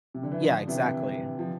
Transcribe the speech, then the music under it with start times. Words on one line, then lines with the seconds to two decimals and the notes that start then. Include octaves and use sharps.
Yeah, exactly.
0.14 C3
0.23 D3
0.32 E3
0.41 D3 F3
0.68 C3 E3
1.39 F3